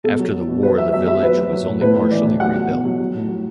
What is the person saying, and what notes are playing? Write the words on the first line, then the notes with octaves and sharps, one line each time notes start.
After the war, the village was only partially rebuilt.
B2 A4
F#3
F#3
B2
F#3 B4
F#3 E5
F#3 E5
F#3 E5
F#3 B4
F#3
F#3
A2
A2 B4
A2
E3 D5
A2
F#3 F#5
F#3
B2
F#3
F#3
A2
F#3